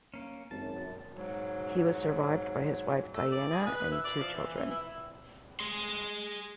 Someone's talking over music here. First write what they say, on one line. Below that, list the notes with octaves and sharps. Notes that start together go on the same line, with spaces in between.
He was survived by his wife, Diana, and two children.
A#3 C#4
G#1 F#2 A5
G#2 F#3
A3
D5
G#4
B4
E4
D5
F3
E3
E3
E4
G#4 C6